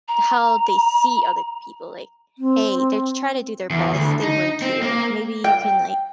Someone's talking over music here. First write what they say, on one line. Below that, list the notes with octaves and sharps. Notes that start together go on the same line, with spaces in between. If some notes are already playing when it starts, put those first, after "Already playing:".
how they see other people, like, "Hey, they're trying to do their best, they work here, maybe you can, like,
A#5
C4
E2
D2
D#4
C4
A#3
G5